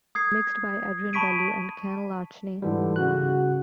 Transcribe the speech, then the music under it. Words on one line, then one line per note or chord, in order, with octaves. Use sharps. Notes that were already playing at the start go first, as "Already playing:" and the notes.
Mixed by Adrian Belew and Ken Latchney.
D#6 G#6 C7
A5 B5 C#6 B6 D7 D#7
G#2 D3 E3 G3
C#3 F#4 F#6